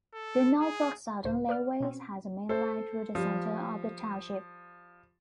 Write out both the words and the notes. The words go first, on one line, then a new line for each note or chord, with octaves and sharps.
The Norfolk Southern Railway has a main line through the center of the township.
A4
G#4
C#2 A2 C5
B4 D5 F6
B2 C4 C#4
A4 C5
F3 G3